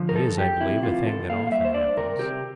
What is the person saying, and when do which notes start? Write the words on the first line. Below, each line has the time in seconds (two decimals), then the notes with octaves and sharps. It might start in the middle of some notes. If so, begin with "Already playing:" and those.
It is, I believe, a thing that often happens.
Already playing: D3 F3
0.09 A#4
0.15 F2 A4
0.38 F2 G4
0.61 C3 E4
0.83 E3 F4
1.06 E2 A4
1.29 A#3 F5
1.47 F5
1.52 G3 E5
1.65 C5
1.74 D4 D5
1.97 C3 A#4
2.19 C3 G4